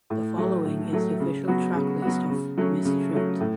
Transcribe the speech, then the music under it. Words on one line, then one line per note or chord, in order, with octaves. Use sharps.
The following is the official track list of "Miss Truth".
A2
F#3 A3
A2
F#3 A3
C#3
F#3 B3 F#4
C#3
F#3 B3 F#4
C#3
F#3 A3 C#4
C#3
F#3 A3 C#4
A2